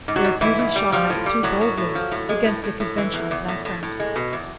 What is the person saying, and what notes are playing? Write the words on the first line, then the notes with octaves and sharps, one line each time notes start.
Their beauty shone out too boldly against a conventional background.
G#2
F#3 F#4
G#2
G#2 E3 E4
G#2
G3
F3 G3 F4
A2
G3
A2 F#3 F#4
A2
A2
F3
A2
G#3
A2
A2
A2
E3
E2
E2
A2
A2
A2
G#3
B2
E2